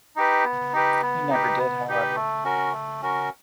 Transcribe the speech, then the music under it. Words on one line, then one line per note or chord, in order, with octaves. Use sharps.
He never did, however.
D#4 G4 B4
B3
D#4 G4 B4
B3
D#4 G4 B4
B3
D#4 G4 B4
A3
C#4 F#4 A#4
A3
C#4 F#4 A#4